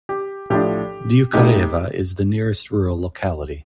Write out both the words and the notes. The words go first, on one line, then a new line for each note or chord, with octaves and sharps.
Dyukareva is the nearest rural locality.
G4
A2 F3 A3 D4 G4
A2 A3 D#4 G4